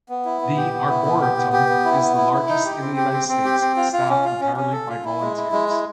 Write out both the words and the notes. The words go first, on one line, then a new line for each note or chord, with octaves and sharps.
The arboretum is the largest in the United States staffed entirely by volunteers.
B3
E4
B3
G4
B3
E4
B3
G4
B3
G4
B3
E4
B3
E4
E4
D#4
G4
C4
G4
C4
C4
G4
C4
F4
F4
C#4
F4
C#4
C#4
A4
F4
E4
G#3
E4
G#3
E4